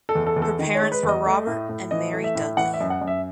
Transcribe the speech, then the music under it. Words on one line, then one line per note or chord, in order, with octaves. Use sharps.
Her parents were Robert and Mary Dudley.
A4
E2
A4
E2
A4
D#3
C#5
G#3
B4
E2
D#5
A3
A2
A2
E3 D#5
A3
E5
A2
E3 F#5
E5
F#2
F#5
F#2
E5